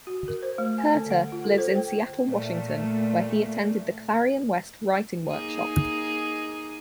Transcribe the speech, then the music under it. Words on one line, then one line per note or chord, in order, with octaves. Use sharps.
Herter lives in Seattle, Washington, where he attended the Clarion West writing workshop.
F#4
A#4
C5
A3
G#5
D3
F#5
F4
A4
C5
G5
A#2 A3
A#3 D#4 G#4